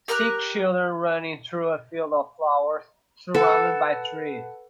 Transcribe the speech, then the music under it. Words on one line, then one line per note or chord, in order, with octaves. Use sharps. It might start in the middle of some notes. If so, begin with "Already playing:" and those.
Six children running through a field of flowers surrounded by trees.
G4 A#4 A#5 F#6
A4 B4 F#5